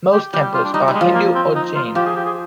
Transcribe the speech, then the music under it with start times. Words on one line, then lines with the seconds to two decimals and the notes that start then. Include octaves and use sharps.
Most temples are Hindu or Jain.
0.13 G4
0.33 G3 G4
0.54 F4
0.64 D4
0.74 G3 D#4
0.88 G3
0.95 G#3
1.01 F3
1.14 A#3
1.35 C4
1.55 D#4
1.75 F4
1.95 F3 G4
2.06 G#4
2.16 G4
2.25 G#4